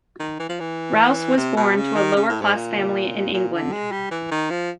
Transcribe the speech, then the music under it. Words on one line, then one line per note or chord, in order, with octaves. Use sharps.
Rowse was born to a lower-class family in England.
D#3
E3
F3
E3
C3
B2
C#3
D#3
C#3
A2
G#2
A#2
A#2
D3
G#3
G3
E3
D#3
F3